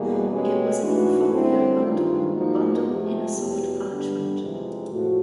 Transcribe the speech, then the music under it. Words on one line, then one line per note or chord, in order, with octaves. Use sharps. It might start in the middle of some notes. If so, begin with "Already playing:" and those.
It was an in-folio bundle, bundle in a soft parchment.
Already playing: E2 B2 G3 A#3 G#4
B2 G#3 C#4 G4
G#2 E3 A3 D4 F#4
F#2 D3 G3 C4 E4
G2 D#3 G#3 F4
G#2 F3 A#3 D#4 F#4
F2 C3 F3 A3 G4
E2 B2 F#3
G2 D3 G3 B3 D4
F2 C3 E3 G#3
A2 F3 A3 F#4